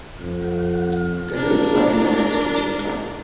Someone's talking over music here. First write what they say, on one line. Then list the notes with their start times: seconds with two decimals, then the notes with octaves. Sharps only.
Galea is married and has two children.
0.21 F2
1.35 D4 A#4